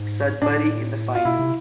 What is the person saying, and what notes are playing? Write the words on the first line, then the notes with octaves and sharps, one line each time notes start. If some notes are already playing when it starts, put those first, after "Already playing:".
Sudbury in the final.
Already playing: G#2
A2 D4
F4
B2 E4
C3